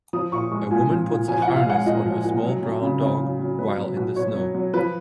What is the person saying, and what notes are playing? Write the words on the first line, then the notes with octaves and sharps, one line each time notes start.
A woman puts a harness on her small brown dog while in the snow.
F3 D#6
A#2 C#6
G#3 C#6
A#2 G#5
F3
A#2
F3 G#5
F#5
A#2
F5
G#3 F#5
A#2 D#5
F3
A#2
F#3
F#3
C#3
C#3
F#3
F#3
F#3 B4
F#3
B2
B2 C#5
F#3
F#3
F3 B4